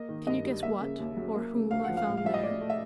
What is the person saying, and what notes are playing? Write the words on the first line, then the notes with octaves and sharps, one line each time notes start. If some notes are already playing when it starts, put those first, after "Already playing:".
Can you guess what, or whom, I found there?
Already playing: A#3 D#5
D#3
G2 D#5
G3
A#3 E5
C#3
D#2
F#3
A#3
C#3
D2 F5
F3 F#5
F5
A2
F5
F3 E5
D#5
A2 D5
A3
E5